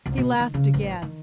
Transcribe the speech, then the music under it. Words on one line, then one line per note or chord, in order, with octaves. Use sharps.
He laughed again.
C2
B2
D#3
C#3
A1
D#3